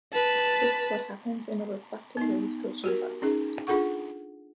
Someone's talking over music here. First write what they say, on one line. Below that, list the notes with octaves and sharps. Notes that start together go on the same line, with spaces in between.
This is what happens in a "reflected-wave switching" bus.
B4 A5
B3 D#4
F#4 G4 A#4
C#4 D#4 G#4
D4 F4 G#4 A4 F#5 C#6